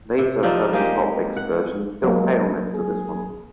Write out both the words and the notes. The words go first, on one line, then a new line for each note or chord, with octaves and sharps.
Later perky pop excursions still pale next to this one.
C3
F3 C4 D4 D#4
G#3 A#3 G4 D#5
F#5
F#3 G#3 A#3
G#4